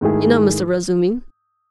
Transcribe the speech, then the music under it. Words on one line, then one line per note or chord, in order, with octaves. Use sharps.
You know Mr. Razumihin?
G#2 D#3 A3 E4 G#4